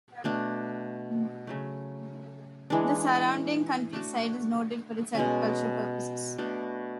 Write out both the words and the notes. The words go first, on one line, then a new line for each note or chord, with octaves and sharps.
The surrounding countryside is noted for its agricultural purposes.
B2 A3 D4
C#3 F#3 A3
E3 G#3 D4
A3 D4 F#4 A4
B2 G#3 C#4
B2 A3 D4 A4